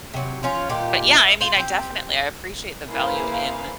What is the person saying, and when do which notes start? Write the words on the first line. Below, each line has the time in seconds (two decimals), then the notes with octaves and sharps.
um, but yeah, I mean, I definitely, I appreciate the value in
0.14 C3 F#3
0.43 F3 C#4 F4
0.69 A#2 D#3 F4 G4
1.15 E4
1.40 F4 C5
1.56 C4 G4
2.89 A#3 E4 G#4 B4 C5 F5